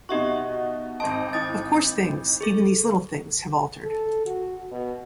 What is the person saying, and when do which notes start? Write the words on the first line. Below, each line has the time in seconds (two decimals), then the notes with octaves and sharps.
Of course things, even these little things, have altered.
0.09 B2 D#4 F#4 G4 E5 C#6
1.00 G#1 C4 D#5 A5
1.33 E4 D#6 A6
2.41 G#4 A4
3.85 A4
4.25 F#4
4.71 B2